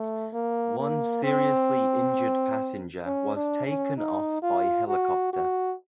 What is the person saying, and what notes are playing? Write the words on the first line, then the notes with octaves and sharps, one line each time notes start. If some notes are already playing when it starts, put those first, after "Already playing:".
One seriously injured passenger was taken off by helicopter.
Already playing: A3
A#3
A#3
C4
C#4
D4
C#4
D#4
F4
F#4
F#4